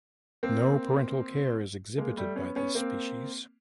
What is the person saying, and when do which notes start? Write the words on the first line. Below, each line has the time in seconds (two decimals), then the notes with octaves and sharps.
No parental care is exhibited by this species.
0.43 A#3 C4
1.98 G#3 A#3
2.17 G3 A3
2.36 B3 C#4
2.56 B3 C#4
2.75 A#3 C4